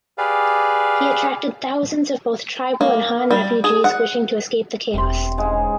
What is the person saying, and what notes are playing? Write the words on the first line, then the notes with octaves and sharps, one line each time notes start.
He attracted thousands of both tribal and Han refugees wishing to escape the chaos.
G4 G#4 B4 D5 F5
A#3
G3
G#4
F#5
E1 C3 C6
G#2 C#3 G#3